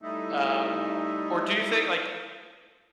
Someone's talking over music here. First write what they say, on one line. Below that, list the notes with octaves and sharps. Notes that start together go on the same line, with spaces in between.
Um, or do you think like,
G3 A3 D#4 E4